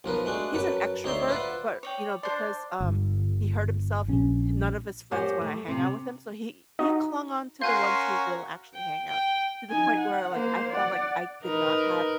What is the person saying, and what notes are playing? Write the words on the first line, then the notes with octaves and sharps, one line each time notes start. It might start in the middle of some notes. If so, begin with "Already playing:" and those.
He's an extrovert, but, you know, because, um, he hurt himself, he h none of his friends wanna hang out with him, so he he clung on to the ones who will actually hang out, to the point where, like, I felt like I did not have
B1 F3 A#4 B4
G#3 A3 D4 F#4
F#2 F#3 B4 A5
D2 D#4 C#5 D5 E5 C6
F4 B4 C5 D5 E5 F#5
C#5 D5 G5
D4 C5 D5 C6
G1
A#1 C#4
F#2 G4 C5 F#5
A3
C3 C4
D#4 F#4
C#4 F#4 A#4 F5 G#5 C6 F#6 G6
G5
G5
D#4 G#5
F#5
A#3 C5
D5 F#5
D#4 A#4 B4